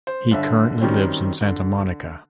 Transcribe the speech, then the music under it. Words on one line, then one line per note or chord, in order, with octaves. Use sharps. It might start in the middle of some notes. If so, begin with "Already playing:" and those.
He currently lives in Santa Monica.
C5
G1 D3 E5
F#2 D#3 F#3 G3 C4 C#4
D3